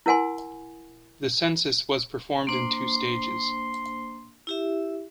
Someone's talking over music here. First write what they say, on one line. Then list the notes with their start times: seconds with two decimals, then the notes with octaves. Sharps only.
The census was performed in two stages.
0.06 E4 A#4 F#5 G#5 C6
2.47 A#3 D4 C5 C6
4.47 E4 G4 E5